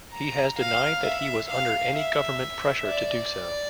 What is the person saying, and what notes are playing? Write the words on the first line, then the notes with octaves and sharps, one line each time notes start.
He has denied that he was under any government pressure to do so.
A#5
F5
E5
F5
E5
D5